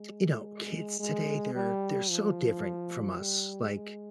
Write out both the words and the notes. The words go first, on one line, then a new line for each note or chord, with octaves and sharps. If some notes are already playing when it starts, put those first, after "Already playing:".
you know, kids today, they're they're so different from us, like,
Already playing: G#3
G#3
G3
F3
G3
G#3